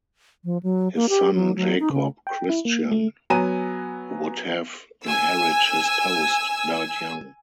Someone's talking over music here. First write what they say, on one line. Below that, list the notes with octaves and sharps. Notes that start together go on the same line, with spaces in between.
His son Jakob Christian, who would have inherited his post, died young.
F3
F#3
A#3
G4
F#3
F#3
D#4
C#3
G5
E4
A#3
A3
F#3 B3 G#5 A#5 D#7
G#5 E6